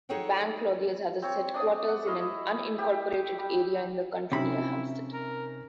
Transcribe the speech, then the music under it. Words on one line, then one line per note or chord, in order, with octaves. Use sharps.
Bank Clothiers has its headquarters in an unincorporated area in the county, near Hampstead.
D#4 G#4 A4 C#5 F#5 G5
C4 C#5
D4 D5 D#6
F#5
E4 D#5 F5 C#6
G4 G5
G3
C3 C#4 D#4 E4 B5
A#4